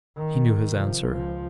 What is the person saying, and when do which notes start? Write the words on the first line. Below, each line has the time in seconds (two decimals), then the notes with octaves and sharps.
He knew his answer.
0.16 D#3
0.73 C3 F3
1.07 C#2 F3